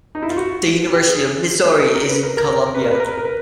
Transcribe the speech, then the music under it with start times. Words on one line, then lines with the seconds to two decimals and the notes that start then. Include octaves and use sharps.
The University of Missouri is in Columbia.
0.15 D#4
0.22 E4
0.30 F4
0.37 F#4
0.95 G4
1.09 G#4
1.80 A4
1.95 A#4
2.09 B4
2.23 A#4
2.37 A#4
2.52 A#4
2.67 A#4
2.75 B4
2.84 A#4
2.91 B4
3.00 A#4
3.08 B4
3.18 A#4
3.25 B4